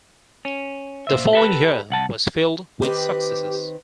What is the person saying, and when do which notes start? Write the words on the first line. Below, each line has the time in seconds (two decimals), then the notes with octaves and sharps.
The following year was filled with successes.
0.45 C#4
1.07 A#2 C5 E5
1.33 G4 A4 B4
1.90 C2 F#5 A5
2.82 D#3 C4 G4 B4